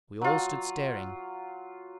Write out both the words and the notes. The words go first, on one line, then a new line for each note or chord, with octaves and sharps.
We all stood staring.
F#3 F4